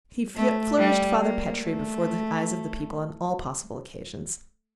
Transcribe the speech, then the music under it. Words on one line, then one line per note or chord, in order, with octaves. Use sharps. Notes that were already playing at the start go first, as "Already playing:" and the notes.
He flourished Father Petre before the eyes of the people on all possible occasions.
A3
G3
A#3
A3